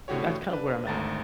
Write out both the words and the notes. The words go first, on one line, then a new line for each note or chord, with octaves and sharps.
and that's kind of where I'm at.
A2 D3 F#4 G4 C#5
D4 B4
G#1 D2 A3 A#5 A6